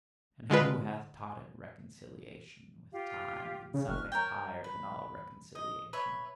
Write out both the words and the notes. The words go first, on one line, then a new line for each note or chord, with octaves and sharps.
And who hath taught it reconciliation with time, and something higher than all reconciliation?
D3 G#3 F4 B4
F4 G4 F5
C#3
F#1 C#6 F6 F#6
A#4 C#5 G5
B4
D#5
B4 C#5 E5